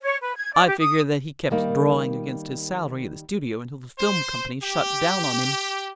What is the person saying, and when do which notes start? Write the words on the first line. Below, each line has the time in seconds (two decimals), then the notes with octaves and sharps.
I figure that he kept drawing against his salary at the studio until the film company shut down on him.
0.01 C#5
0.21 B4
0.36 G#6
0.54 D5
0.67 G4
0.79 D#6
1.50 D#3 G3 A#3 D#4
3.98 C5
4.63 G4